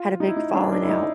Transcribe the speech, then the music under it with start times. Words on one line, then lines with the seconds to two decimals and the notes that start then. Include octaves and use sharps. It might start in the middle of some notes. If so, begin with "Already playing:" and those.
had a big falling out.
Already playing: F4
0.20 D#4
0.28 E4
0.37 D#4
0.50 C#4
0.55 D4
0.72 D4
0.83 E4
0.89 D#4